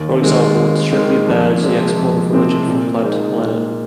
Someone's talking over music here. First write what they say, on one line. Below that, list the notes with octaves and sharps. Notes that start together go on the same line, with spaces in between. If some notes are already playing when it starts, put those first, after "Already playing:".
For example, it strictly bans the export of religion from planet to planet.
Already playing: D#2
D#3 G#3 C4
D#2
D#3 G#3 C4
F2
C3 G#3 C4
F2
C3 G#3 C4
A#2
G#3 D#4 C5
A#2